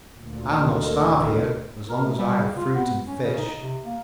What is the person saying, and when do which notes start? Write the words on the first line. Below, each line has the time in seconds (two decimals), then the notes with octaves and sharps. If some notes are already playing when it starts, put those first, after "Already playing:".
"I'll not starve here as long as I have fruit and fish."
0.16 D2 A#2
0.71 A4 A#4 D#5
1.89 A#4
2.04 A3
2.18 G3
2.40 C#3
2.57 F4
2.75 B3
3.08 C#4
3.23 C#3
3.38 D#4
3.61 C3
3.84 A#3